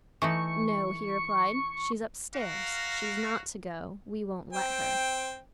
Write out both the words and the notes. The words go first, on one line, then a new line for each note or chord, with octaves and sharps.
'No,' he replied; 'she's upstairs: she's not to go; we won't let her.'
E3 A3 D#4 C#6
F#4 A#4 F5
C4 G5